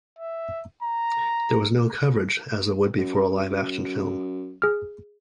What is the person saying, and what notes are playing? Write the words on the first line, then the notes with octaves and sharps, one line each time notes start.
There was no coverage, as there would be for a live-action film.
E5
A#5
F#2
G#4 F6